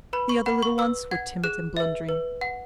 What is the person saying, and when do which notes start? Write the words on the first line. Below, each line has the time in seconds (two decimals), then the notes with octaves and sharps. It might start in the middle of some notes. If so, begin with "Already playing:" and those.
The other little ones were timid and blundering.
0.13 B4 B5
0.29 C#6
0.46 F#5 B5
0.63 C#6
0.78 B4 E6
1.11 F#5 G#6
1.44 G#4 F#6
1.77 B4 E5
2.09 B4
2.41 F#5